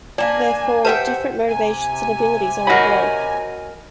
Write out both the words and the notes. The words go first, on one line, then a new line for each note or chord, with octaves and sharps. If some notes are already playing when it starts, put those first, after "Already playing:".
Therefore, different motivations and abilities are involved.
A#3 D4 D5 F5 G#5
G4 B4 C5 E5 F#5 G5 A5
C3 G#5
F#3 F#4 A#4 D#5 B5